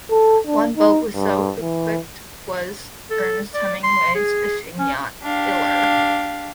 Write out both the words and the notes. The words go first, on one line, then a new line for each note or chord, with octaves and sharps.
One boat so equipped was Ernest Hemingway's fishing yacht "Pilar".
A4
D4
D#4
G2
E3
A4
D5
C6
G#4
C#4
D4 G4 F5